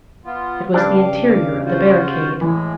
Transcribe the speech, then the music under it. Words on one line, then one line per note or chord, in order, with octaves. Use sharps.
It was the interior of the barricade.
B3 F4
G2 C#3 D4 F5 D6
F4 F#4 C5
A2 E3 G#3